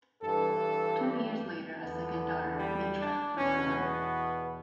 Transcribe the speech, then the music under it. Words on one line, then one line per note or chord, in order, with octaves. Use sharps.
Two years later a second daughter, Mitra, was born.
G2 E3 A4
G4
E2 D3 B3
G3
D4
E2 B2 C#4
B3